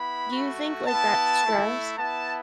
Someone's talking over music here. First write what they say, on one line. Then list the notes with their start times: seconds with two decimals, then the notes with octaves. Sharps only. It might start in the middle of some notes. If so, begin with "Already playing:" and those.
Do you think, like, that stress
Already playing: B3 E4 B5
0.32 A3 F#4
0.87 B3 E4 A5
1.42 A3 E4
1.97 B3 E4 A5